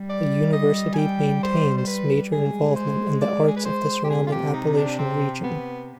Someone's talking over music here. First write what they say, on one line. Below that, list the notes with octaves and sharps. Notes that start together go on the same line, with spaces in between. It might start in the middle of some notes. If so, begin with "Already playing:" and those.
The university maintains major involvement in the arts of the surrounding Appalachian region.
Already playing: G3
D5
D#5
G#5
G5
C5
C5
B4
G#3 G#4
C5
D5
G#4
B4
C5
G4
C3 G#4
F4
G4
D#4
D4
C4
B3